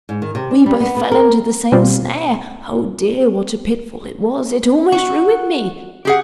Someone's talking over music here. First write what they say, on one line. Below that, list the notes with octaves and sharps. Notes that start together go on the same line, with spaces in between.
We both fell into the same snare; oh dear, what a pitfall it was; it almost ruined me!
G#2
D#3
C3
D4
G3
B3
B3
A#4
B2 G3 C4 F4
F#4
G4 G#4 F#5